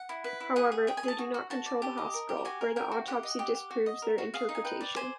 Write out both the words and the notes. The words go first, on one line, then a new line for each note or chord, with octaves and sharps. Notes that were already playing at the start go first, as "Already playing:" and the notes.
However, they do not control the hospital, where the autopsy disproves their interpretation.
Already playing: F#5
E4
B4
E4
G#4 F#5
G#4
G#4 G5
G#5
G#4 A5
F#4
F#4
F#4 A5
D5
G4
D#5
A#4
G4
F#4 G#5
A#4
A#4 G5
F#4
G4 F#5
D#5
G4
G4
F#4
D#5
A#4
F#4
G#4 F5
D#4
G#5
B4 G5
D5
C5 G#5